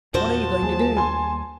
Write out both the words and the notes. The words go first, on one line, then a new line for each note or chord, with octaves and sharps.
"What are you going to do?"
E2 A#2 F3 F#4 C5 A5
D#2 G3 A#3 G#4
G#5 C6